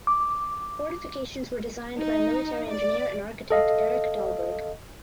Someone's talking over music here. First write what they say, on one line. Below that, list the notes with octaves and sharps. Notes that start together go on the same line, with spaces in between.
Fortifications were designed by military engineer and architect Erik Dahlberg.
D6
D#4
D5
A4 D#5 F5